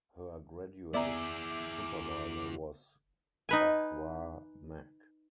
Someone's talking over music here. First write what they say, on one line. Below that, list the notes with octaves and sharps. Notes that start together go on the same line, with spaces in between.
Her graduate supervisor was Tak Wah Mak.
B3 E4 G#4 D5 E5 A#5 D6
D#4 B4 G#5